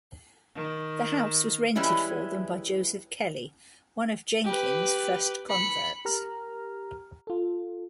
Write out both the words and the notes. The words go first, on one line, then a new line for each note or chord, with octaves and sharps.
The house was rented for them by Joseph Kelly, one of Jenkins' first converts.
D#3
E3 G3 G#3 C#4 E4
G4 B4
B5 C#7
G4 A#4 A#5 F6
F4 A4